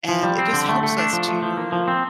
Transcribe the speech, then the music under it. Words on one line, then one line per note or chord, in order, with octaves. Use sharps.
and it just helps us to
F3
G3
C4
D3
A3
A3
D4
F3
A3
F3
A#3
F3
C4